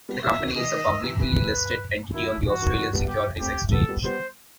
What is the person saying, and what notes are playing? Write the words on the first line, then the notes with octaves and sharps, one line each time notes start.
The company is a publicly listed entity on the Australian Securities Exchange.
G3 B3
E3 G3 E5
D#3 F#3
C3 E3 D#5
D#3
D#3
C3 E3
C3 E3 B4
D#3 F#3 E4
E3 G3 F#4
D#3 F#3
D#3 F#3
G3 B3
G4
A3 C4 G4
G3 B3 A4
G3 B3
G3 B3 C5